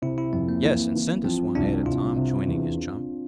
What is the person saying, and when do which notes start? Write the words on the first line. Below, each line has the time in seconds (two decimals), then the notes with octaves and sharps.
"Yes, and send us one," added Tom, joining his chum.
0.02 C3 E4
0.18 E4
0.33 F2 C4
0.49 A#3
0.63 E3 A#3
0.95 E3
1.24 F3 C4
1.55 C2 D4
1.86 C2 F4
2.16 C3
2.47 E2